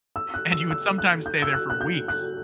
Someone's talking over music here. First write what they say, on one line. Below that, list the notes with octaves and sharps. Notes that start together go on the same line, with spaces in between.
And you would sometimes stay there for weeks,
E6
F#6
E6
E6
F#6
G6
E6
F#6
F#6
G6
F#6